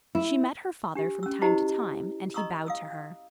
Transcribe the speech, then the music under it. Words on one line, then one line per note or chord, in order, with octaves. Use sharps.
She met her father from time to time, and he bowed to her.
E4
D4 G4
C#4 E6
E4 F#4 G4 C5 D#5 A#5
D#5 A#5 C#6 D#6 E6
F5 D#6 E6